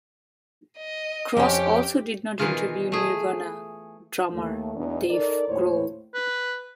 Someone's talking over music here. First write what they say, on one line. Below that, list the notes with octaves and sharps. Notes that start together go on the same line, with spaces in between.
Cross also did not interview Nirvana drummer Dave Grohl.
D#5
F2 C#4 G4
B2 D#3 E3 F4 G#4
A3 G#4
D#2 A3
E2 B2 D4 D#4
D#4 A4 A#4 D5
D#2 A2 E4 C5 C#5
B4